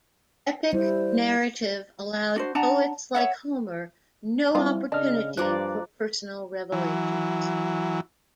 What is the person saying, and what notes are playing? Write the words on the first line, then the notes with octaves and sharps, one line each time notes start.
Epic narrative allowed poets like Homer no opportunity for personal revelations.
G3 E4 C5
D4 F#4 C5
D4 F#5 A5 A#5
C#5 E5 F#5
F3 G3 C4 E4 F4
C#3 D4 D#5 F6
G2 F3 D5 A#5 D6 F#6
E3 F#3